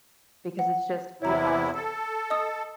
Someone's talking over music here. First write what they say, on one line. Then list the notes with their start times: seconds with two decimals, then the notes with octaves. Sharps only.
because it's just, "Who has
0.59 F#5
1.22 E2 C3 E4 C#5 A#5
1.75 A4
2.30 D#5 D#6